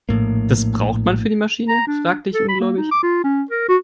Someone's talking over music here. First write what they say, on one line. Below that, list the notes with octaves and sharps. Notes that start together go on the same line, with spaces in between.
"Das braucht man für die Maschine?", fragte ich ungläubig.
A#1 A2 A#3
A#5
D4
A4
B5
A#3
D#4
D6
F4
C#4
A#4
F#4